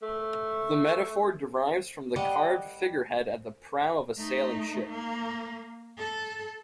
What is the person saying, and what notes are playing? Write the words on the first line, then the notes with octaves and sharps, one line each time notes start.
The metaphor derives from the carved figurehead at the prow of a sailing ship.
A3
G3 D5 D#5 F#5
A3 D#4
A#3
A4